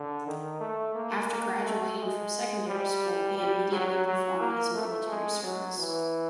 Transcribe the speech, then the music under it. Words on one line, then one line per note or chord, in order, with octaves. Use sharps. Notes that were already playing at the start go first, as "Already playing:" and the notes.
After graduating from secondary school he immediately performed his military service.
Already playing: D3
D#3
A3
A#3
A#3
A3
G#3
G3
G3
F#3
F#3
A#3
A3
G#3
F#3
E3